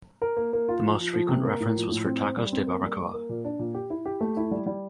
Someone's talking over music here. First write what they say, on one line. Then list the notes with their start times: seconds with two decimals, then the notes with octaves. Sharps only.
The most frequent reference was for "tacos de barbacoa".
0.22 A#4
0.37 A#3
0.53 A#3
0.69 F4
0.84 F3
0.99 F3
1.13 F3
1.29 C3
1.45 A#3
1.60 A2
1.75 F3
1.91 A2
2.06 C4
2.22 C5
2.37 G3
2.53 C4
2.67 A#3
2.83 G3
2.98 A#3
3.14 A#3
3.29 A#2
3.44 D4
3.59 A#2
3.74 G4
3.90 E4
4.05 G4
4.21 A3
4.37 E4
4.51 G3
4.66 G3